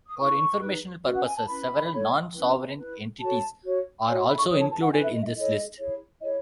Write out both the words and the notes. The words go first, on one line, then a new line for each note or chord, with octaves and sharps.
For informational purposes, several non-sovereign entities are also included in this list.
D#6
E4 B4 C#6
D#4 G#4 B4
C#4 F#4 B4
F#5
G#5
A5
C#4 E4 B4 B5
E4 A4 C#5
C#4 E4 B4
E4 B4
F#4 A4 C#5 A5
F#4 C#5
F#4 C#5 G#5
B5
C#6
E4 A4 C#5 D#6
A5
A5
F#5
E4 B4 G#5
E5
D#5
E5
D#5
E4 A4 C#5 D#5
E4 G#4 C#5
E4 G#4 C#5 D#5